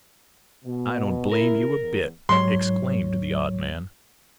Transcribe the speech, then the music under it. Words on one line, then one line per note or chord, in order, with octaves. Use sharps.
"I don't blame you a bit!" exclaimed the odd man.
B2
C#3 A#3 E4 A#4
E2
G#2 F#3 C#5 C6